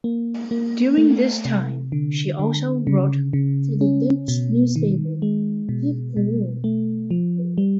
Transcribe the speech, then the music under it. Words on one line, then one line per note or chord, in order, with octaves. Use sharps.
During this time she also wrote for the Dutch newspaper "Het Parool".
A#3
A#3
A3
C3
D3
D3
C#3
C#3
C#4
B2
D#3
G#3
B2
B2
A3
F3
G3